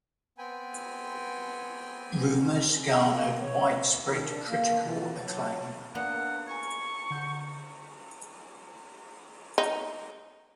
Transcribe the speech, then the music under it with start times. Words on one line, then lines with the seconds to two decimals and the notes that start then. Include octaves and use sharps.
"Rumours" garnered widespread critical acclaim.
0.38 B3 C4 G5 G#5 B5
2.86 G#4
3.07 A#3
3.41 C#5
3.89 D#2
4.03 D#3
4.29 D4
4.47 A#3
4.81 E3
5.20 F#3
5.95 A#3 B3 D4 F#5
6.47 G#5 A#5 C#6 G#6
7.11 D3 F#5 G6
9.58 D#4